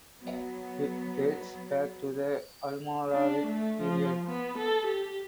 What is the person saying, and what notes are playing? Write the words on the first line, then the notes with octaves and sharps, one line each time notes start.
It dates back to the Almoravid period.
F#3 B3
D4
A3
F3
B3
A4
G4